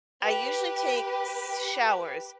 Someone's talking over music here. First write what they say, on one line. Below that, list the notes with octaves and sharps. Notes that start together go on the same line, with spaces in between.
I usually take s showers
G4 B4